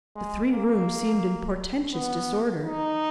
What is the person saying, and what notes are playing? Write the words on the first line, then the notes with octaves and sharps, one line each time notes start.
The three rooms seemed in portentous disorder.
G#3
A#3
B3
D#4